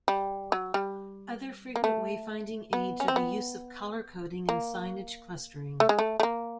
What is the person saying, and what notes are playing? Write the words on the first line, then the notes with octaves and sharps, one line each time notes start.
Other frequent wayfinding aids are the use of color coding and signage clustering.
G3
F#3
G3
A#3
A3
B3
C#4
C4
B3
A#3
A3
G#3
A3
A3
A#3